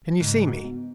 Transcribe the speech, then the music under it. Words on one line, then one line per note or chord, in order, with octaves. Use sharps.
"Can you see me?"
G#2 C#3
F#4
B3